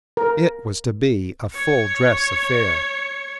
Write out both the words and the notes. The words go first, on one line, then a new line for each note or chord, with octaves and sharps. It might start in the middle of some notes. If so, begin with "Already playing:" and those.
It was to be a full-dress affair.
A#4
C#5 C#7